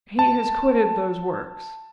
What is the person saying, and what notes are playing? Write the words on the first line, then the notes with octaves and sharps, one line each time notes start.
'He has quitted those works.
A5